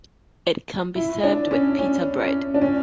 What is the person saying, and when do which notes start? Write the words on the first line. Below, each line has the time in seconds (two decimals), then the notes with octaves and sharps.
It can be served with pita bread.
0.96 E4
1.24 D4
1.51 C#4
1.79 C#4
2.20 C#4
2.54 D4
2.62 C#4